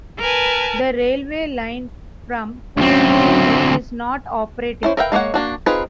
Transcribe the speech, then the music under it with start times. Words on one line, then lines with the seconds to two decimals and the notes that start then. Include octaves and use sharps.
The railway line from Kisumu is not operating.
0.19 A#4 B4 G#5 A5
2.77 D2 F#3 C4 C#4
4.83 C#4 E4 C5
4.97 A#4 B4 E5 F5 G5
5.12 G#3 A#3 C5 C#5 F#5
5.34 A#3 D4 F#4
5.66 C4 D#4 F4 G#4 B4